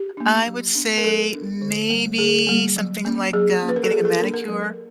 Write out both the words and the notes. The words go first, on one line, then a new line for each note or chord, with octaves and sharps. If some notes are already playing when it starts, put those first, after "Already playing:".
I would say, mm, maybe something like, um, getting a manicure,
Already playing: G4
A#3 D4
F#3
B3 D4
A#4
F#3 A4
B3 D4
D3
G3 A#3
D3 G#4
G3 A#3
F#3
A#3 C#4
F#3 G#4
A#3 C#4
B4
A#4
A4
F#3 G#4
A4
A#3 D4 A#4
A#4
F#3